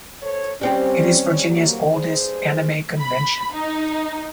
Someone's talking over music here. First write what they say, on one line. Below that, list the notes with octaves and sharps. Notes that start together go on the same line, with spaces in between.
It is Virginia's oldest anime convention.
A4 C5 C#5
G3 C4 C#4 G4
F#3 A#3
G2 G#4 C5
B5
D#4